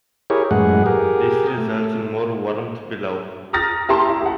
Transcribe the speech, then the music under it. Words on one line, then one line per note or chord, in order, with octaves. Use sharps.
This results in more warmth below.
E4 G4 G#4 A#4 C#5
F#2 A2 E3 G#3 G#4 F#5
G4 G#4 A#4
A3
A#5 D#6 F6 A6 A#6
E4 G4 A5 A#5 C6
E4
G4 F#5